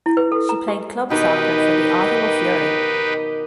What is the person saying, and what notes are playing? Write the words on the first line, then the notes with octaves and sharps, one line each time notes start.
She played club soccer for the Ottawa Fury.
E4
B4
A4
A#5
G4
B2 D#3 D#4 G4 B4